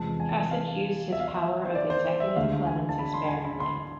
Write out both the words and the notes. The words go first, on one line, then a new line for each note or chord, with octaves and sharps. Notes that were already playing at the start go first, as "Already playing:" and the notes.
Kasich used his power of executive clemency sparingly.
Already playing: E2 C3 F3 G#3 A5
G#5
A5
G#5
F5
E5
F5
E5
C5
D5
C5
C5
E5
D2 D3 G#3 F5
G#5
A5
B5
C6
G#5
B5
C6